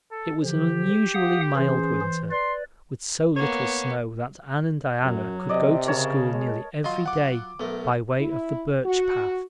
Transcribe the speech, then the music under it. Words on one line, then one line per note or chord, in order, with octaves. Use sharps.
It was an unusually mild winter, with so little snow that Anne and Diana could go to school nearly every day by way of the Birch Path.
A4
D3 F3 G4
F5 F#5 D#6
E3 C#4 G#4 C5
E3
B4 D5 C6
A#3 B3 C#5
F#2 F#3
C3 D5 D#5
C#3 A#4 C#5 A5
G#3
F#3 F4 D#5 C6
F#5 D6
B1 A3 B3 A#4
E4
F#4